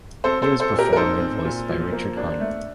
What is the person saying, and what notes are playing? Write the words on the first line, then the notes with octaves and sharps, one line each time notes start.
He was performed and voiced by Richard Hunt.
C4 A4 C5
A4 C5
C4
A4 C5
A#2
G4 A#4
A#4
D#4 A4 C5
C4
A#2
F3
A#3
D4
A3